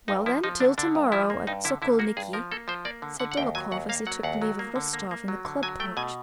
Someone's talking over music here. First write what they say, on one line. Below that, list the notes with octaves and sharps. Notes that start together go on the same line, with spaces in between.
"Well then, till tomorrow at Sokolniki," said Dolokhov, as he took leave of Rostov in the club porch.
G2 D#4
F3 E4
F3 D#4
D3 D4
D3 D4
G2
F3 E4
A#3
G2 D#4
D3 E4
D3 E4
A#3 F#4
G2 G#4
F3 A#4
A#3 A4
F3 C5
A#3 D5
D3
D3 F#5
F#5
D#2 G5
F#3 G#5
D#2 F#5
A#3 F5
F#3 F#5
D#2 F#5
F#3
A#3
D3
A#3
A#3
F#3
D3
F#3 G#5
A3 G5
B2 G#5